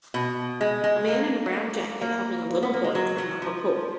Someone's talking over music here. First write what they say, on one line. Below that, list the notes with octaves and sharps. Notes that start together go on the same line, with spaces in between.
A man in a brown jacket helping a little boy climb up a pole.
B2
G#3
G#3
A#3
A#3
B3
A#3
G#3
F#3
F#3
F3